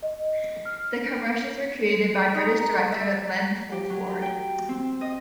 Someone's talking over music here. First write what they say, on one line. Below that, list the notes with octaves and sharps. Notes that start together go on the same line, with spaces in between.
The commercials were created by British director, Len Fulford.
D#5
F6
D#4
A#4
E5
G4
F#3
G5
C4
D#5